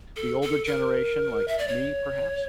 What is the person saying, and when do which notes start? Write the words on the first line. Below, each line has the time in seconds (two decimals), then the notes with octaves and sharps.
the older generation, like me, perhaps?
0.16 A4
0.42 A4
0.66 A#4
1.48 E5
1.59 D5
1.68 C#5